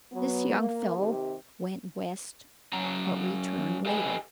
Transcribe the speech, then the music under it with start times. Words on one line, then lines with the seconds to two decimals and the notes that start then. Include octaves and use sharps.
This young fellow went West, but returned later.
0.12 F#3 B3
0.60 A#3
0.98 C3 D#3 G4
2.73 F#2 C#3 F#3 C#4 A#5
3.86 G4 A4 B4 D#5 G#5